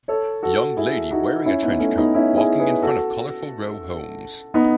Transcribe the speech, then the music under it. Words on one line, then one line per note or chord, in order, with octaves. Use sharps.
Young lady wearing a trench coat walking in front of colorful row homes.
A4 C#5
F#4 A4
E4 G#4
D#4 F#4
C#4 E4
B3 D#4
A3 C#4
B3 D#4
C#4 E4
E4 G#4
G#4 B4
F#4 A4
B3 D#4